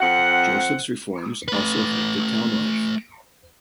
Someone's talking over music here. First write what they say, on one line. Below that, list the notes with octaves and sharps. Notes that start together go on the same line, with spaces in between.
Joseph's reforms also affected town life.
F2 C4 F#5
A3 B4